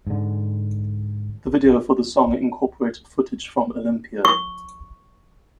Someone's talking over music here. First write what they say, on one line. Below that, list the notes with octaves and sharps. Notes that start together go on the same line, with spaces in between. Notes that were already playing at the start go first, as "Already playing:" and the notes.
The video for the song incorporated footage from Olympia.
G#2 D3
C#6